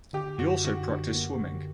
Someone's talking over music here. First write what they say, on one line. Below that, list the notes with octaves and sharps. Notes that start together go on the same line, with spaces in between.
He also practiced swimming.
D3 G4
F#2 F#4
D3 F#4
D3
A#3
D3